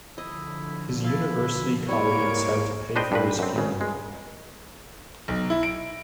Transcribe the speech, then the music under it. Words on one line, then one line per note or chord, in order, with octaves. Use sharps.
His university colleagues had to pay for his funeral.
D3 F3 E4 D#5
E4 F5 A5
G#2 G3 A#3 E4 C#5 D7
D4 B4 C5 D#5 G5
G2 A#2 B4
F#2 C4
G#1 C#3
G#3
B1
E4
D7